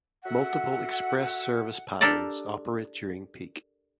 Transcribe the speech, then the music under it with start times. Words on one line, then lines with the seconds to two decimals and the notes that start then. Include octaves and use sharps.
Multiple express service patterns operate during peak.
0.24 F#4 A4 E5 F#5
2.01 D4 G4 A4 A#4 D5